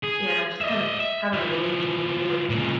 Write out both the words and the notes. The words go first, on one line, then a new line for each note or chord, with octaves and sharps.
Yeah, and I just kind of have a range of where
G#4
D#5 E5
E5
E3 F3
C#2 A#2